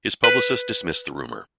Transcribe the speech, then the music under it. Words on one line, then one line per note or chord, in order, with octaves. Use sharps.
His publicist dismissed the rumor.
B4